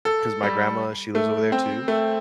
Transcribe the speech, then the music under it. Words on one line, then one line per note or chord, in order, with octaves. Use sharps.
'cause my grandma, she lives over there too,
A4
G3
A3
C4
A3